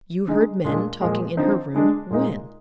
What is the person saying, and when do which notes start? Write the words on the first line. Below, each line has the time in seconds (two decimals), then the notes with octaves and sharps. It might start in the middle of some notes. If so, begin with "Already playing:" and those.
"You heard men talking in her room--when?"
0.28 D3 G#3 D#4
0.64 A#2 G#3 D4
1.01 A#2 F3 G#3
1.37 D3 F3 C4 D#4
1.74 D3 G#3 D4
2.10 A#2 G#3 D#4